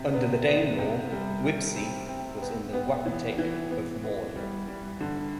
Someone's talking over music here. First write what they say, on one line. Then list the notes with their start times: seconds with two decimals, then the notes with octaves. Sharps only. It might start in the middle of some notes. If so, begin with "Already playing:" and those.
Under the Danelaw Wibsey was in the wapentake of Morley.
Already playing: C3
0.14 B3
0.47 B3
0.79 C3
1.11 G3
1.44 G4
1.76 C4
2.09 C4
2.41 B3
2.73 B3
3.06 E3
3.38 E3
3.71 B3
4.04 B3
4.36 G3
4.68 G3
5.01 D3